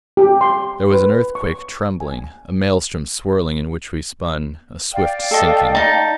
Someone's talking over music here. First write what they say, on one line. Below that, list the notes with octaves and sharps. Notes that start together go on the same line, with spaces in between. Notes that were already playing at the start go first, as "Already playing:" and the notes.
There was an earthquake trembling; a maelstrom swirling in which we spun; a swift sinking.
G4
C6
B4
C#6
G#5
D5 F5 G5
A4 D#5
D#4 A5